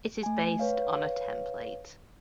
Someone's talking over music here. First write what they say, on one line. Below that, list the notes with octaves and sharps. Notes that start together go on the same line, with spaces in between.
It is based on a template.
A3 G#5
B4 C#5 F5